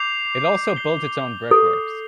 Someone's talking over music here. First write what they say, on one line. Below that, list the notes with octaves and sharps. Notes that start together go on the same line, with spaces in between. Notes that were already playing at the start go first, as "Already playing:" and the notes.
It also built its own brickworks.
Already playing: D6 G6 C7 F7
G6 C7 G7
A4